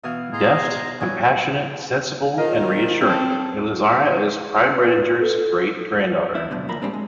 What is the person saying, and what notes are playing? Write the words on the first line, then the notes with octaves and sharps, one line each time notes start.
Deft, compassionate, sensible and reassuring, Elizara is Prime Reidinger's great-granddaughter.
B2 E3 E5 F5 D#6 G#6
A2 G#4 D#5 A#5 C6
D5 F#5 D#6
F#3 G3 E4 G#5 D#6
D#3 F3 F4 A#4 D#5
C4 C#4 A4
B4
A4
E2 E4
C#2 F#2 B2 D3
D2 A#2 F3 A#4 B5
A#2 G3 G#3 C4 D4
G#3